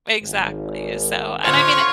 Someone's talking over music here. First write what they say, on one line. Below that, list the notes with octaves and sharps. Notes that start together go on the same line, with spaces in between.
exactly, so and, I mean,
G#1
D3 F4 C5 C#5